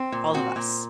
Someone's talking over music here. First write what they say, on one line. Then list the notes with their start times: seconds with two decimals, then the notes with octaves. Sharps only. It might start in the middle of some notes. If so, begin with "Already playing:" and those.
all of us?
Already playing: C4
0.12 A#2
0.34 C4 F#4
0.56 A#2